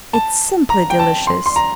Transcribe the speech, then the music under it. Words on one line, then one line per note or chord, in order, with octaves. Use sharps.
It's simply delicious!
A5
A#5
G5
A5
C6
C6
A#5